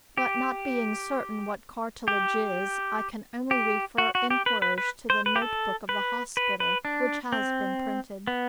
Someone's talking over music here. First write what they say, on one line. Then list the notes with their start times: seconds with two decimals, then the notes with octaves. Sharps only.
But not being certain what cartilage is, I can only refer inquirers to the note-book of the hospital, which has been printed.
0.17 G4
2.08 G4
3.51 G4
3.98 F#4
4.15 F#4
4.30 G4
4.46 B4
4.62 B4
4.78 B4
5.10 C5
5.26 B4
5.36 G4
5.42 A4
5.89 B4
6.37 B4
6.60 B4
6.85 D4
7.33 C4
8.27 B3